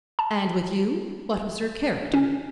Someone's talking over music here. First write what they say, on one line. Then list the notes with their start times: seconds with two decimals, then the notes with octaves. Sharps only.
"And with you, what was her character?"
0.19 A5
2.14 C#4